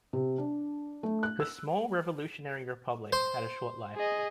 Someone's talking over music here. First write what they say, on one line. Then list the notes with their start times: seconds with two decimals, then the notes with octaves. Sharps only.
The small revolutionary republic had a short life.
0.13 C3
0.38 D4
1.03 A3
1.23 F#6
1.40 E6
3.13 C5
3.96 G#4 D#5